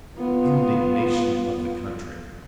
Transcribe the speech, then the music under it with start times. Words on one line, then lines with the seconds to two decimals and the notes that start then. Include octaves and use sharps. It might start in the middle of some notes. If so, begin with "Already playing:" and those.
Indignation of the country....
0.19 B3 F4